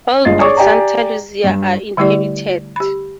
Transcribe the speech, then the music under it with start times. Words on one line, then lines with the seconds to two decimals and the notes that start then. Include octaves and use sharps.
All but Santa Luzia are inhabited.
0.25 G1 G#3 F4 D#5 A6 C7
0.39 G#4 C#5 D5 C#6 D6
0.57 G4 D5 G5 G#5 A#5
1.44 G2
1.97 D3 G3 A3 E4 G4 D5
2.76 G4 B5